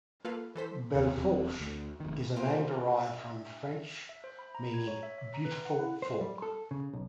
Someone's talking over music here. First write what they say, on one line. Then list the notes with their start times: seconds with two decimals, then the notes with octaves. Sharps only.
Belle Fourche is a name derived from French meaning "beautiful fork".
0.25 A#3 F4 A4 B4 F5
0.55 E3 A4 C5 B6
0.95 D#2 C3
1.16 E1 E2 D#3 C4
1.60 D2
2.00 F1 D#3
2.36 G3 A#3 F4 G4 C5
3.06 G2 E5
4.09 E5
4.24 C5
4.39 B5
4.55 A#5
4.74 G#6
4.87 C#5
5.03 E5
5.18 E5
5.34 A#5
5.45 B4
5.65 F#5
5.79 E4
6.02 C5
6.21 G3
6.42 A4
6.71 C#3
6.93 B1